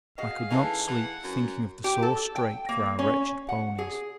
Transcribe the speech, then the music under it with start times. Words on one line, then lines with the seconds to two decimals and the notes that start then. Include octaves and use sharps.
I could not sleep thinking of the sore strait for our wretched ponies.
0.18 F#4 G#4 D#5 F5
0.50 E3 C#4 D#4 A4
0.88 E3 F#5
1.23 F#2
1.84 G4
2.02 A4
2.36 G5
2.69 A#3
2.99 C#4
3.49 F#5
3.79 G#4